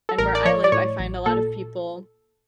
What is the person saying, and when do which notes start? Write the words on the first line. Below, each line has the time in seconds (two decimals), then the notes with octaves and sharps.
and where I live, I find a lot of people
0.09 A4
0.18 A1 A#4
0.35 D5
0.45 F3 C#5
0.64 D5
0.72 A2 C#5
0.99 A1
1.26 A#2 A4